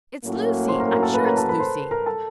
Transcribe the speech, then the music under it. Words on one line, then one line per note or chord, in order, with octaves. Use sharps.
It's Lucy--I'm sure it's Lucy!
A2 F#3 A#3 C#4 F#4
C5 C6
A#4 A#5
A#4 A#5
A4 A5
B4 B5
A#4 A#5
A4 A5
B4 B5
C5 C6
A#4 A#5
A4 A5